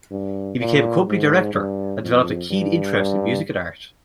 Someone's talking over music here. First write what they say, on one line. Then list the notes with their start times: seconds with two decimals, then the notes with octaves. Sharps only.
He became a company director and developed a keen interest in music and art.
0.11 G2
0.59 A#2
1.07 G#2
1.54 G2
2.02 F2
2.50 G2
2.97 G2